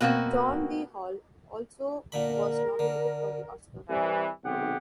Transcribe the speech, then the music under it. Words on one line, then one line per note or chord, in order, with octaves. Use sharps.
John D. Hall also was nominated for the Oscar.
B2 A#3 C4 F#4
A#2 D3 A#4 B5
D3
C2 E3
B1 C3 D#3 G4 G#4 F#5